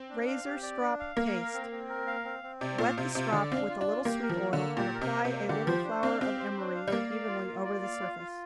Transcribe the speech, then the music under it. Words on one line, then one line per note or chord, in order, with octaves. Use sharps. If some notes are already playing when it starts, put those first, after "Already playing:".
Razor-strop Paste.--Wet the strop with a little sweet oil, and apply a little flour of emery evenly over the surface.
Already playing: C4
D4
F5
G4
D5
D4
F5
A#3 A#4
F5
C4
C4
A#4
F5
C4
C4
C3 D5
A#2 F5
C3 F4
C3 F4
D3 D5
C4 F5
D4
F4
D4
F4
A#3 G4
A#4
F3
A#3
D3
A#3
A#2 G4
A#4
C3
A#3
C3
A#3
D3 G4
F3 C5
D4
C4 F5
C4 G4
C5
D4
F5
G3
A#3 D5
F5
F4
F4
D5
F5
F4
F4